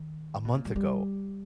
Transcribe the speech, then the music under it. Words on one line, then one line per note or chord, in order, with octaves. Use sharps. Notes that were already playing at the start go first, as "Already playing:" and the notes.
a month ago,
Already playing: D#3
B2
A#2
G3
G3